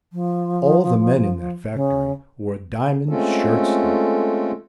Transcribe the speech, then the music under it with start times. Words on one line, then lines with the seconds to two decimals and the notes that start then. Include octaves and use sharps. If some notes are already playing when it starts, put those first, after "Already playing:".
All the men in that factory wore diamond shirt-studs.
0.13 F3
1.74 C#3
3.09 G#3 A3 C4 C#4 F4 A4